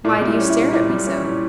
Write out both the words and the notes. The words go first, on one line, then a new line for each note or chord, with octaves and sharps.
'Why do you stare at me so?
A#2 E4
G3
E4
C#4
E4
A#2
A#2 E4
G3
C#4
A#2